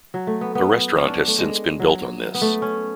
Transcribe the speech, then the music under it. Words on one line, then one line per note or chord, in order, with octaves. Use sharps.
A restaurant has since been built on this.
F#3
A3
B3
B3
C#4
D4
A3
G#3
F#3
B3
A3
C#4